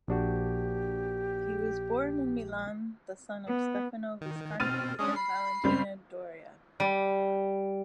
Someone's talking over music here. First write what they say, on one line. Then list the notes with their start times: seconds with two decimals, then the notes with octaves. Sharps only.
He was born in Milan, the son of Stefano Visconti and Valentina Doria.
0.08 A#1 D4 F#4 G4
3.48 B3
4.21 D#3
4.60 B2 C4 F6 A6 D#7
4.99 G#3 C#4 D4 D#6
5.16 B5 C7
5.64 C#3 G3 C4
6.80 G3